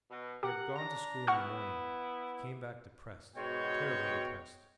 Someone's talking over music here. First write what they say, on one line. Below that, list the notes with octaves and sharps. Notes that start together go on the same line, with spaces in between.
He had gone to school in the morning, he came back depressed, terribly depressed.
B2
G4 A#4 F#5
D4 A#5
B3 E4 F#5 C#6 F6
G#2 B2 B3 F#4 C#5 G5